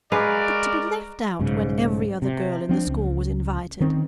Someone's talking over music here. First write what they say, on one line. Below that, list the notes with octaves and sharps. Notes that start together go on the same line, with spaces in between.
But to be left out when every other girl in the school was invited!
G#3 F#4 A#4 B4 D5 F5
B1 G#2 C#3
C3
F3 C4 D4
C#2
D#3 C4 C#4